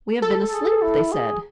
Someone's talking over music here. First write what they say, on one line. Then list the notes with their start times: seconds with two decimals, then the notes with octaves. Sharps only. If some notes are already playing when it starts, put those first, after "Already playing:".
"We have been asleep," they said.
0.22 A4
0.52 G#4
0.82 E4
1.12 G#4